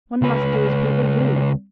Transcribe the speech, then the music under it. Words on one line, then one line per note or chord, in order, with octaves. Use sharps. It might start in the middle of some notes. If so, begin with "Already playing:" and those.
One must do as people do.
C#2 B4